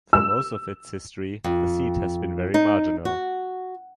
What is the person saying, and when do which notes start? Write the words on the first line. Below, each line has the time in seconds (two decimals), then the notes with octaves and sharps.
For most of its history, the seat has been very marginal.
0.13 E6
1.44 F2
2.54 D#4
3.05 F#4